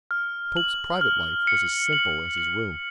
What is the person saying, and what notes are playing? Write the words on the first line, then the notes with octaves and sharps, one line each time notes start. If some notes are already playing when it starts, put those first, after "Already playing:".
The Pope's private life was as simple as His room.
F6
F#7
F6
C#7
F#7
F#7